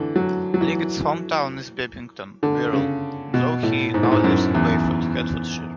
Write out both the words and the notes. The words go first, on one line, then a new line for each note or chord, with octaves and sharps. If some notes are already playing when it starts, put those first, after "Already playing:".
Liggett's home town is Bebington, Wirral, though he now lives in Bayford, Hertfordshire.
Already playing: D3 E3
F#3
F#3
E3
D3
C#3
B2
A2
G#2
A2
G#2
F#2
E2